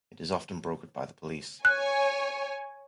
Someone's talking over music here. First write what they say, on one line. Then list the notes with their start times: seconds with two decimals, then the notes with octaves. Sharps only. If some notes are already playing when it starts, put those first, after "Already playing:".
It is often brokered by the police.
1.65 C#5 G#5 F#6